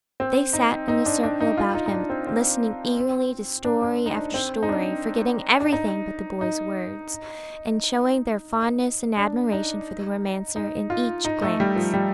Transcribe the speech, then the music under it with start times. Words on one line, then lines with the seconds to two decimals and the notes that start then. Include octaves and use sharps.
They sat in a circle about him, listening eagerly to story after story, forgetting everything but the boy's words, and showing their fondness and admiration for the romancer in each glance.
0.20 C4
0.53 D#4
0.88 D#4
1.06 D4
1.23 D4
1.40 D#4
1.57 F4
1.75 D#4
1.86 D#4
1.92 D4
2.10 C4
2.27 C4
3.65 D4
3.82 D4
4.06 D#4
4.17 D4
4.34 C4
4.63 D#4
4.69 D4
5.60 D4
5.72 D#4
6.41 D#4
9.17 D4
9.52 D#4
10.56 D#4
10.90 F4
11.25 D#4
11.42 A3
11.60 G3
11.76 F3
11.94 G3